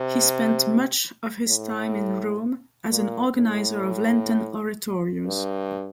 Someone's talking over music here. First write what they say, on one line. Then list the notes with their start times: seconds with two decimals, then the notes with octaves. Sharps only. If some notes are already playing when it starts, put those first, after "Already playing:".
He spent much of his time in Rome as an organiser of Lenten oratorios.
Already playing: C3
1.47 A2
2.89 A#2
3.36 A2
5.26 G2